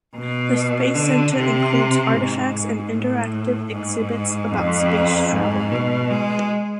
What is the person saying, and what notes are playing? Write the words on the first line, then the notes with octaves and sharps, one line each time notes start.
The space center includes artifacts and interactive exhibits about space travel.
B2
D3
C3
G#2
A2
G#2
F2
G#2
B2
G#3